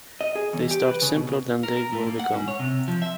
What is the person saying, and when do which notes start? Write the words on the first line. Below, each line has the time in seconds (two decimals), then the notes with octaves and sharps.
They start simpler than they will become.
0.21 D#5
0.35 G#4
0.53 E2
0.71 G4
0.88 B4
1.02 C#3
1.16 B2
1.63 A#4
1.77 A#4
1.92 A2
2.07 A#3
2.19 F#5
2.33 G#2
2.48 C#5
2.59 C3
2.88 F3
3.02 E5